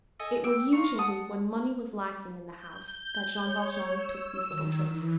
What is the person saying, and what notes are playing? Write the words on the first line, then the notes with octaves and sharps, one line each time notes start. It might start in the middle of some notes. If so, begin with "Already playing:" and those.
It was usually when money was lacking in the house that Jean Valjean took these little trips.
A4 D#5 G#5
G5 D6 E6
F4 A#5 C#6
F#5 A5 D#6
G6
C#5
E6
D#3
E3